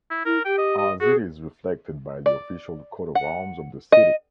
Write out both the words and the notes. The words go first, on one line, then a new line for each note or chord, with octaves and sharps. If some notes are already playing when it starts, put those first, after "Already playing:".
As it is reflected by the official coat of arms of the city.
E4
E4 A#4
G4 G5
D#5
D#5
F#4 G#4
D5
F#5
D#5